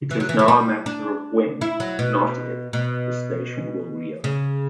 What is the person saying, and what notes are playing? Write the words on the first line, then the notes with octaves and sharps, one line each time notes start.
It is now a matter of when, not if, the station will reopen.
E3
F#3
E3
E3
G3
D4
E4
F#3
B2
B2
C#3